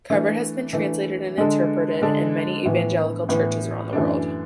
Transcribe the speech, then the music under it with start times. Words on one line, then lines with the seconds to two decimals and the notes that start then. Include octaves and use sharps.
Covered has been translated and interpreted in many evangelical churches around the world.
0.10 E3 A3 D4
0.73 E3 A3 D4
1.38 D3 G#3 D4 A4
2.02 D3 G#3 D4 A4
2.65 A2 E3 B3
3.29 A2 E3 B3
3.93 F#2 E3 A3 D4